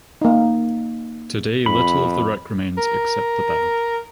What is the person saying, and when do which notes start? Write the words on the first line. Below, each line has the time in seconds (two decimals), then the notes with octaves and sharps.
Today little of the wreck remains except the bow.
0.21 A#3 D#4
1.66 F2 B5
2.77 A#4